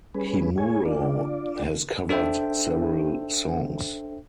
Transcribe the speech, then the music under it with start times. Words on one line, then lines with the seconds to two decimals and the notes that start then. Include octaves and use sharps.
Himuro has covered several songs.
0.14 G3 C#4 G#4 B4
0.58 G#4 C#5 G#5
0.85 D4 F4 D5
2.09 D4 A4 C5 E5 G5